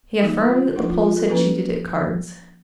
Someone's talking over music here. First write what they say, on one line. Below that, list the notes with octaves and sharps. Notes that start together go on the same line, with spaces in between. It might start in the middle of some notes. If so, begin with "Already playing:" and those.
He affirmed that the Poles had cheated at cards.
E3 G3 A#3 D#4 F#4
F4
F3 A3 D4 E4
F4
F4
A4
F3 A#3 C#4 E4 B4